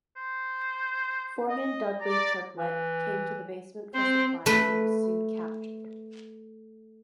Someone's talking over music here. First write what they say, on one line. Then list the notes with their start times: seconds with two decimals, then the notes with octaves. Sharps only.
Foreman Dudley Triplett came to the basement for supplies and was soon captured.
0.16 C5
1.50 D#5
2.01 D5 A#5
2.56 E3
3.95 C4 C5
4.46 A3 B4